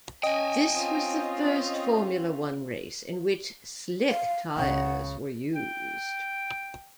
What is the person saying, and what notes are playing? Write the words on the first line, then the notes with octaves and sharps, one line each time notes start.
This was the first Formula One race in which slick tyres were used.
C#4 D#5 G5 G#5
C4 C#4 F4
F5
C#2 C#3 F#5
G5